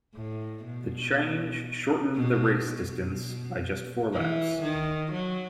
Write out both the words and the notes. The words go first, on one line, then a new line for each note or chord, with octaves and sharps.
The change shortened the race distance by just four laps.
A2
B2
B2
B2
E3
D#3
F#3